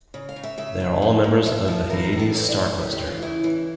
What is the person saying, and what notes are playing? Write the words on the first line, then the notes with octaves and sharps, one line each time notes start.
They are all members of the Hyades star cluster.
C#3
F5
C#3
E5
C#3 E5
C#3
F3
A#2
F3 E5
F3
E3 A#4
A#4
A2
A4
E3 C#5
D5
A2
C#3 G4
G4
E3
F4
C#3 E4
E3